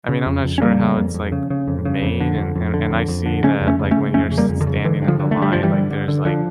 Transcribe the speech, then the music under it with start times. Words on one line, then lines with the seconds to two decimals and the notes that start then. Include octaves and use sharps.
I mean, I'm not sure how it's, like, made and and and I see that, like, when you're s standing in the line, like, there's, like,
0.09 C#3
0.26 F2
0.45 F2
0.58 C#4
0.62 C#3 G3 A#3
0.79 C#3
0.97 F2
1.14 F2
1.32 C#3
1.50 C#3
1.68 F2
1.85 C#3
2.02 F2
2.20 D3
2.38 F2
2.56 F2
2.74 D3
2.90 F2
3.08 F2
3.26 D3
3.43 C#3 A3 C#4
3.61 F2
3.67 A3 C#4
3.79 C#3
3.91 A3 C#4
3.96 C#3
4.14 F2 A3 C#4
4.31 C#3
4.38 G3 A#3
4.49 F2
4.61 D3
4.67 C#3
4.85 D3 E3
5.02 G2
5.08 D3 F3
5.20 D3
5.31 A3
5.37 D3 G3
5.52 G2 F3
5.63 E3 G3
5.73 D3
5.91 D3
6.08 D3
6.25 D3 F3